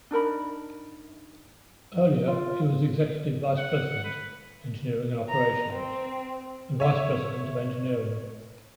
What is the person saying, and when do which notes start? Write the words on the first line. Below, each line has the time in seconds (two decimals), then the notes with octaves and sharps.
Earlier, he was Executive Vice President, Engineering and Operations; and Vice President of Engineering.
0.11 D4 D#4 A#4 B5
2.28 F4
3.58 F#5
4.04 B4
5.28 A#5
5.71 C4
6.80 C#5 E5